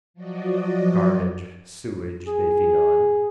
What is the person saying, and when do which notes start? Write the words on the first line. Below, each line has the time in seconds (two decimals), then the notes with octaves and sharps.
Garbage, sewage they feed on.
0.14 F3 F#3 F#4 D5 D#5
2.25 G#4